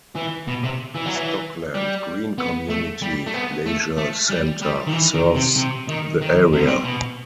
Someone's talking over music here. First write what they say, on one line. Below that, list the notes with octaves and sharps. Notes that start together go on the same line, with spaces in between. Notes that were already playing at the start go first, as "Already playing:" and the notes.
Stockland Green Community Leisure Centre serves the area.
E3
B2
C3
E3
F#3
E3
G3
B3
A3
G3
A3
B3
A3
A3
G3
G3
D#3
E3
D#3
C3
C3
D#3
D#3
C3
B2
C3
B2